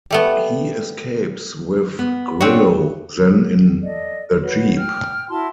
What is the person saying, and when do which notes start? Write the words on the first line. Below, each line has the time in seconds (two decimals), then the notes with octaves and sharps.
He escapes with Grillo then in the jeep.
0.11 G3 A3 B3
1.99 B3
2.41 C4 D4 F#4 C#5
3.82 A4 D5 D#5
4.41 F#4 B4 C#5
4.75 G5 F6
5.29 E4 F#4 A5 C6